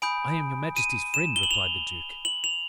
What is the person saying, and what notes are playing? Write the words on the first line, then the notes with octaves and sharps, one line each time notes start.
"I am your majesty's friend," replied the duke.
G#5 B5 D#6 G6 D7
D#7
E7
G7
F#7
F7
F#7
F7